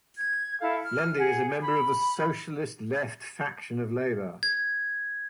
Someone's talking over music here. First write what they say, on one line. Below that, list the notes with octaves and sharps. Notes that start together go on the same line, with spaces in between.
Lundy is a member of the Socialist Left faction of Labor.
G#6
E4 A4 F5
F6
G#4 F#5
B5
G#6